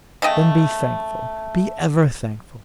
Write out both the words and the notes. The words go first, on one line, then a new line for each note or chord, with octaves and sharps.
Then be thankful--be ever thankful.
C#3 A3 D#5 G5